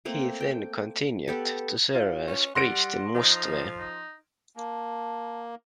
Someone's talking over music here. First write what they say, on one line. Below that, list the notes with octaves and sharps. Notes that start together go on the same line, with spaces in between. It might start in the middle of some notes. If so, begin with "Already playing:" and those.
He then continued to serve as priest in Mustvee.
A3 A#3 C4
G5
B3 G4 A4
F4
C#4
G3 F#5 C6 A#6 D7
F3 D#4
D#4
A#3 A5